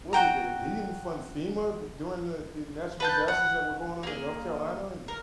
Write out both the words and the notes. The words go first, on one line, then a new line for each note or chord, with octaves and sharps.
was it that he didn't fund FEMA? W during the the natural disasters that were going on in North Carolina? And
F#4 G5 A#5
B4 A5 G6
F#5
A#3 G#4
A#4